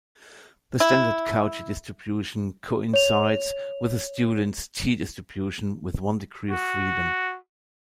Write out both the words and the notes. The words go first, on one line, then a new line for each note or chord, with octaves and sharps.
The standard Cauchy distribution coincides with the Student's "t"-distribution with one degree of freedom.
E4
C#5 F7
F#4